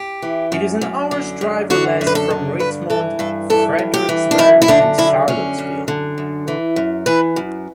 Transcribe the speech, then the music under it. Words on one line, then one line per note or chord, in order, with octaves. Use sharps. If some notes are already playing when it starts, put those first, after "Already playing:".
It is an hour's drive or less from Richmond, Fredericksburg and Charlottesville.
Already playing: G4
E3
F#2
F#2
D3
F#2
D3 F#4
F#2
B4
A4
D3
G2 B4
E3 A4
G2 A4
E3 A4
G2
G4
E3
D4
F#2 E4
E4
D3 D4
F#2 E4
D3 C#4
F#2
D3
F#2
E3
F#2
E3 B4
F#2